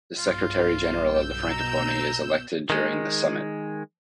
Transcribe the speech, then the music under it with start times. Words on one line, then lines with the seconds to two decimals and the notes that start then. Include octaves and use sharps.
The Secretary General of the Francophonie is elected during the Summit.
0.18 B1 G2 F4
1.10 B2 E6 G6
1.50 A#5
2.70 D#3 G#3